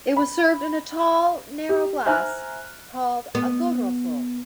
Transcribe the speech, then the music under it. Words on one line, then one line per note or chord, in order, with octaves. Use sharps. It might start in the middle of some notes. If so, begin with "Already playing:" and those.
It was served in a tall, narrow glass called a "Goderulffe".
B5
G4
C5 E5 G#5 A#5 F6 F#6
B3